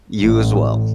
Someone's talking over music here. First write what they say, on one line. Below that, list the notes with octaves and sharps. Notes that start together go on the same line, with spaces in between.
You as well.
A1